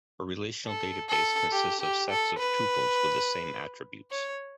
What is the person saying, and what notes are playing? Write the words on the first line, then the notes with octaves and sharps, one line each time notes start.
A relational database consists of sets of tuples with the same attributes.
A4
A4
G4
G4
A4
B4
C#5